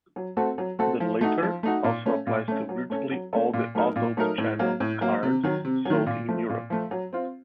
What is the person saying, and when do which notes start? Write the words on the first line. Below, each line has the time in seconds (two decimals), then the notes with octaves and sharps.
The latter also applies to virtually all the Adult channel cards sold in Europe.
0.16 F#3
0.37 A3 C4 F#4 A4
0.58 F#3
0.79 A3 C4 F#4 A4
1.00 F3
1.21 A3 D#4 F#4
1.43 F3
1.63 A3 D#4 F#4
1.84 A#2
2.06 A3 C#4
2.27 A#2
2.48 A3 C#4
2.69 F#3
2.90 A3 C#4 A4
3.11 F#3
3.33 A3 C#4 A4
3.54 A#2
3.75 F#3 A3 D#4 A#4
3.96 A#2
4.17 F#3 A3 D#4 A#4
4.38 A2
4.59 F#3 A#3
4.80 A2
5.01 F#3 A#3
5.23 C3
5.43 D#3 F#3
5.65 C3
5.85 D#3 F#3
6.07 A#2
6.28 F3 A3
6.50 A#2
6.70 F3 A3
6.91 F#3
7.13 C4 F4